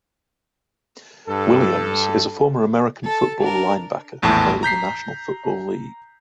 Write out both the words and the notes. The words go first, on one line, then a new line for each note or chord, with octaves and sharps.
Williams, is a former American football linebacker who played in the National Football League.
G2 A4
A4 A5
D4 A#4
A#1 E2 A2 A4 A5
A#5 G6 B6 C7